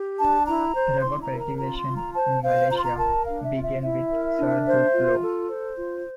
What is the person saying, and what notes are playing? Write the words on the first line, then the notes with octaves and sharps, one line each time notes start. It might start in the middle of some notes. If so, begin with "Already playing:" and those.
Rubber cultivation in Malaysia began with Sir Hugh Low.
Already playing: G4
D4 A5
E4 A#5
C5
E4 C6
A#5
A#4
A#5
F4 A#5
C6
F4
A#5
C5 A5
C5 F5
F4 A#5
C6
A#5
A#4 A5
D4 F5
E5
F4
E5
E4 E5
A#4
D4
C5
F4
A4
C5
F4